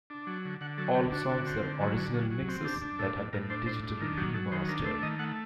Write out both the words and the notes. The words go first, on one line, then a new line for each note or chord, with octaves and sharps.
All songs are original mixes that have been digitally remastered.
D4
F#3
D3
D3 F#5
F#3 A4
D3 G4
D4 F#4
D3
C4
D3
F#3
D3
F#3
F#3
C4
D4 G4
D4
A2 A4
A2
A2 A#4
D4 C5
A2 C5
D4
D#3 A#4
F#3 G4
F#3 A4
D#3 C5
D4 A#4
A3 C5
D#3 D#5
A3 F#5